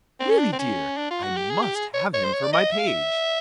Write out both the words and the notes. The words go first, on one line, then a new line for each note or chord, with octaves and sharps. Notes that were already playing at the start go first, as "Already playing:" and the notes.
Really, dear, I must have him for my page.
C4
C#4
D4
C4
C#4
D4
F4
F#4
G4
G#4
G4
G#4
C#5
C#5
C5
C#5
D5
D#5
E5
F5
E5